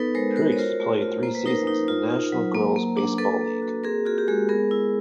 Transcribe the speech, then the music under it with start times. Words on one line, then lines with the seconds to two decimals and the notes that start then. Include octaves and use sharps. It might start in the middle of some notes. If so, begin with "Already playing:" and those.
Kurys played three seasons in the National Girls Baseball League.
Already playing: B3 D#4 A4 B4
0.15 G#3 A#4 C5
0.36 F#4 A#4 C5
0.52 C#5
0.58 F4 A#4 C5
0.80 A3
1.02 F4
1.23 A#3 C5
1.35 B4
1.46 D#4 A#4 C5
1.67 D#4
1.88 F4
2.10 F4
2.32 F#3
2.54 A#3
2.76 A#3
2.97 D4
3.18 A#3 A4 B4
3.41 A#3
3.62 F#4
3.84 C4 G#4 A#4
4.05 F4 F#4 G#4
4.18 G4
4.28 G#3 F#4 G#4
4.49 B3 G#4 A#4
4.71 E4